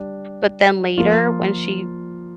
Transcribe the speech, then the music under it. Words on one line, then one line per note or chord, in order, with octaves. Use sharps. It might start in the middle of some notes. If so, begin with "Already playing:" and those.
but then later, when she
Already playing: G3 D4
F3 A#3 F4